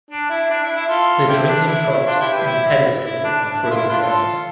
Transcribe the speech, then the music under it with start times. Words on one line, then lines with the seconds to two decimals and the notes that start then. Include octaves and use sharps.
The drinking troughs and pedestal have broken down.
0.10 D4
0.30 E4
0.49 D4
0.63 E4
0.76 E4
0.88 F4 A4
1.28 E4 G4
1.47 D4
1.67 E4
1.86 E4
2.06 D4 F4
2.19 E4 G4
2.32 G4 B4
2.46 E4
3.04 E4
3.24 D4
3.43 D4
3.63 E4
3.70 F4
3.76 E4
3.88 D4 F4
4.01 F4 A4